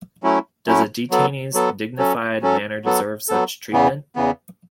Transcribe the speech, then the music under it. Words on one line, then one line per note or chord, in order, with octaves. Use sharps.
Does a detainee's dignified manner deserve such treatment?
F#3 A3 C#4 E4
F#3 A3 C#4 E4
F#3 B3 A4
F#3 B3 A4
F#3 C#4 A4
F#3 C#4 A4
F#3 B3 A4
F#3 B3 A4
E2 C#3 E3 B3
E2 C#3 E3 B3